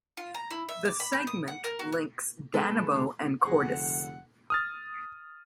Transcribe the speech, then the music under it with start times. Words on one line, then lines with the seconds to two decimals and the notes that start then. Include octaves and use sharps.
The segment links Danebo and Cordes.
0.17 F4
0.34 A#5
0.50 E4
0.69 E5
0.85 D6
1.00 B5
1.13 G6
1.27 D#6
1.48 F#5
1.64 A#4
1.79 F#4
1.92 F#6
2.54 G#3 B3 A4 B4
2.91 D3 G#3 A3
3.44 F1 D3 F#4 G#4 C5 F#5
4.50 D#6 F6 A6